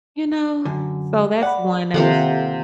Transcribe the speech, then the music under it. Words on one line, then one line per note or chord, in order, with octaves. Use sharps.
You know? So, that's one that was
F#2 D3
D5 F#5 B5
D#2 C3 D#3 F4 A4 A#4 F5 F#5